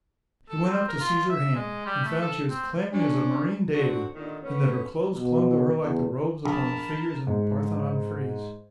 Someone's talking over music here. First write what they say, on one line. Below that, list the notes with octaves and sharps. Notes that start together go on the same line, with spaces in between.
He went up to seize her hand, and found she was clammy as a marine deity, and that her clothes clung to her like the robes upon the figures in the Parthenon frieze.
A4
C4
A#4
F4
E5
G#3
G3
A3
A4
C4
C#4 D4
D3 F#3 C4 D4 F#4
D#2 A#2 D3 D#3
A3 B3 C#4
B2
E2
A#1 A#4 A5 B5
G#2